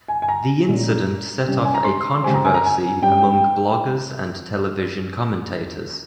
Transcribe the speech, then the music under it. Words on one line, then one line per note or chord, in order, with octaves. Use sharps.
The incident set off a controversy among bloggers and television commentators.
G#5
G#5
A#5
A#2 G#3 C#4
C3 G3 C#4
G#5
A#5
C6
C#3 G#3 C4 G#5
A#5
G#5
A#5
G#5
G2 G3 C#4 G5